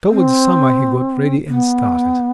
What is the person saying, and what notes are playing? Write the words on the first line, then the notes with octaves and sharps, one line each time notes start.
Towards summer he got ready and started.
C4
B3